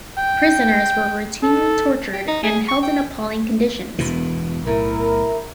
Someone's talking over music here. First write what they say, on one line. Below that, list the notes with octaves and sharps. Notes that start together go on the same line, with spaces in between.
Prisoners were routinely tortured and held in appalling conditions.
G5
A4
G4
D#4
G#4
C#6
G5
E1 B2 E3
B1 A2 E4 A#4